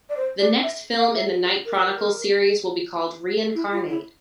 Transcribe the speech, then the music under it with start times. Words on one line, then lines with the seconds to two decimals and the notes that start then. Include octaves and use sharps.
The next film in the Night Chronicles series will be called "Reincarnate".
0.10 D5
0.17 C5
0.40 D5
0.63 E5
0.98 F5
1.15 E5
1.66 A#4
3.55 E4
3.73 F4
3.90 E4